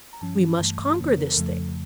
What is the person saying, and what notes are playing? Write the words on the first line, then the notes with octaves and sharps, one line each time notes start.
We must conquer this thing.
A#5
G2 F3 C#4 A5
G2 E3 A3
F2 C#3 E3 A#3 C#4
C#5
A#4
A4
A#4
F2 C#3 F3 A3 A4